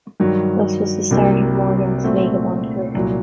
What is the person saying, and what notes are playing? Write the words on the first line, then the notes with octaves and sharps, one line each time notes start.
Thus was the start of Morgan's vagabond career.
G2 D#3 F#3
C2 C3 F#3 A#3
A#2 A3 C4 F#4
C2 A#2 F#3